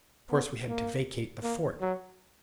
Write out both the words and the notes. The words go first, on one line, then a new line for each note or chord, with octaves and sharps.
Of course we had to vacate the fort.
B3
A#3
A#3
F#3